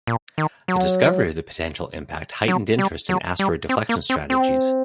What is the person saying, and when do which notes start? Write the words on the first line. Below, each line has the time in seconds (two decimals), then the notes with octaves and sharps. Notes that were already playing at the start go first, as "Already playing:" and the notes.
The discovery of the potential impact heightened interest in asteroid deflection strategies.
0.07 A#2
0.38 D#3
0.68 F#3
2.48 F#3
2.79 G3
3.09 F#3
3.39 G3
3.69 C4
3.89 A#3
4.10 C4
4.30 C4